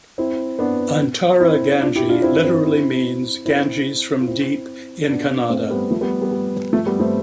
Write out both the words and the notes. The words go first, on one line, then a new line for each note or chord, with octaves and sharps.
Antara Gange literally means "Ganges from deep" in Kannada.
C4 E4
B3 D4
C4 E4
D4 F4
E4 G4
D4 F4
C4 E4
C4 E4
C4 E4
C4 E4
F4
C4 E4
B3 D4
A3 C4
G3 B3
F3 A3
G3 B3
G3 B3
G3
F3 A3
G3 B3
A3 C4